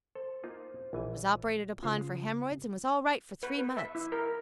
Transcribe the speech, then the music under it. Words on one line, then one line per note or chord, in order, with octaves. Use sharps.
Was operated upon for hemorrhoids and was all right for three months.
A4 C5
A#3 D#4 F4
A#1 E3 G#5
C#3 G#3 F4 C5 F5
B4
B4
E5
E4
A#4